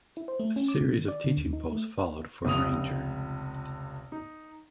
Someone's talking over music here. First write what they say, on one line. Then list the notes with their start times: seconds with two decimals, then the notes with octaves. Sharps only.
A series of teaching posts followed for Grainger.
0.17 E4
0.28 C5
0.40 A3
0.56 C#4
0.68 D6
0.81 C3
0.97 D#3
1.08 D5
1.24 D3
1.37 D#2
1.53 D#4
1.72 A3
2.45 F1 C#2 D#6 F7
4.12 D#4